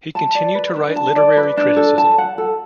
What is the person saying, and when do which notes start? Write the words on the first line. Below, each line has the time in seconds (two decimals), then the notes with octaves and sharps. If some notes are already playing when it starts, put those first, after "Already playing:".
He continued to write literary criticism.
0.15 A5
0.35 D5
0.55 B4
0.76 D4
0.96 A5
1.16 D5
1.37 B4
1.57 D4
1.76 A4
1.98 A5
2.18 F#5
2.38 A4